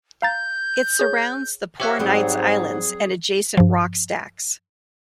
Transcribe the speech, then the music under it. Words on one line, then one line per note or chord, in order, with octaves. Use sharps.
It surrounds the Poor Knights Islands and adjacent rock stacks.
F5 A#5 G6 A6
G#4 C#5
F3 G4 C#5 E5 F#5
G#2 F#3 G3 C4 G#4
G2 F3